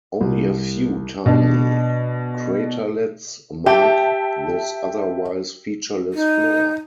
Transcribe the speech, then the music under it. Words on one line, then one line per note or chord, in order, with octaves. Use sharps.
Only a few tiny craterlets mark this otherwise featureless floor.
C2
B2 D4
G4 E5 G5 A5
D#4